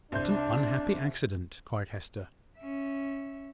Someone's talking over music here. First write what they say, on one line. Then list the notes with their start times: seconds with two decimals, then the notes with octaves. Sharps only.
"What an unhappy accident!" cried Hester.
0.12 C2 D4 C5 G6
2.59 C#4 E5